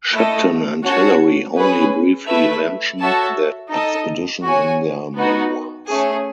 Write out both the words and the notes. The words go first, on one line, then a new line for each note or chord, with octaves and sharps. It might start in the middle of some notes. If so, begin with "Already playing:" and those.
Shipton and Hillary only briefly mention the expedition in their memoirs.
A3 E4 A4 D#5
C#4 F#4 C#5 F#5 A5
C#4 G#4 B4
A3 E4 B4 E5
F#4 A4 C#5 E5 A5
D#4 A4 D#5
F#4 C#5 G#5
B3 D#4 F#4
A3 C#4 G#4